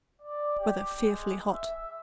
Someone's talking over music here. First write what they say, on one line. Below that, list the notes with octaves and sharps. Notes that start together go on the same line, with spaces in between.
Weather fearfully hot.
D5
G4
G#3
E5